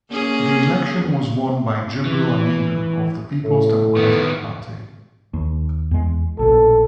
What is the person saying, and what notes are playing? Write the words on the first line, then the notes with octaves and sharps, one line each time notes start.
The election was won by Jibril Aminu of the Peoples Democratic Party.
A#3 C#4 G#4
E3
A2 A3
D#3 B3
D#2
E2 G#3
A#1 B2 A4